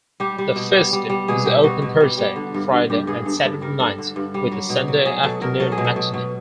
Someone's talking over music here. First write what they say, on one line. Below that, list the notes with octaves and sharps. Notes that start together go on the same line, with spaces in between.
The Fiske is open Thursday, Friday, and Saturday nights, with a Sunday-afternoon matinee.
G3 G4
G3
B2
G3
G3
G3
B2 G#4
B2 G4
G3 F#4
B2
G3
G3
D3
G2
G2
G2 G4
G2 G#4
G2 A4
G2 A4
G3 A#4
G2 A4
D3
G2
G3
F#3
B2
F#3
F#3 G#4
B2 A4
B2 A#4
F#3 A4
G#4
B2
A4
B2
B2